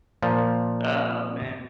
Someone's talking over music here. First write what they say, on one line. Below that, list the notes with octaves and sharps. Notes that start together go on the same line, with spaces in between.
Oh, man.
A#2 F3